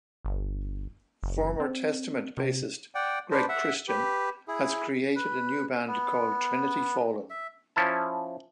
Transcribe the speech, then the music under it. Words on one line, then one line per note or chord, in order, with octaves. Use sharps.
Former Testament bassist Greg Christian has created a new band called Trinity Fallen.
G1
F#1
C4
C3
D5 F#5 G5
D4 B4 C5
E5 F#5
G4 B4
E4 G#4
B4
B3
E5
F3 C#4 E4 A5